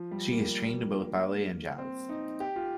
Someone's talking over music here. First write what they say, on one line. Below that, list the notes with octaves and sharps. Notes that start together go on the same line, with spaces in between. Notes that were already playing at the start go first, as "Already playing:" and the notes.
She is trained in both ballet and jazz.
Already playing: F3
G3
A#3
C4
D#4
G4
F4